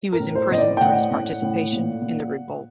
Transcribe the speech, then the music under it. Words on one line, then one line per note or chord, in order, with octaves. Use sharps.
He was imprisoned for his participation in the revolt.
A#4
A2
C5
A2 D#5
D5
G5
A2 F#5
A2
A2
A#2
A#2